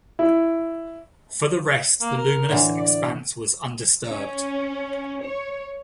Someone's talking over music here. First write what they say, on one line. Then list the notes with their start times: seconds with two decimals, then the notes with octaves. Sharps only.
For the rest the luminous expanse was undisturbed.
0.19 E4
2.01 A#3
2.17 A#4
2.49 A2 D3 E3
2.77 D5
4.09 C#4
5.25 C#5